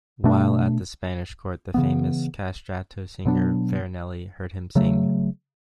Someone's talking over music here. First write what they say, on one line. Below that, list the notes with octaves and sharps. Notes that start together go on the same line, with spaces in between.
While at the Spanish court, the famous castrato singer Farinelli heard him sing.
B2 A3 D4
C#3 E3 B3
B2 F#3 B3 D4
C#3 F#3 A3